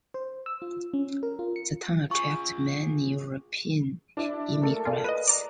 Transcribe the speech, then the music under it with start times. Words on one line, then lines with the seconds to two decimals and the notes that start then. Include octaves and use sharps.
The town attracted many European immigrants.
0.14 C5
0.46 E6
0.62 F4
0.94 C#4
1.23 A#4
1.39 F4
1.56 C#7
2.11 F4 G#4 C#6
4.17 D4 E4
4.61 A3 A#3 A4
4.85 F4 G#4 D5
5.04 B4 D#5 D#7
5.27 D5 A#5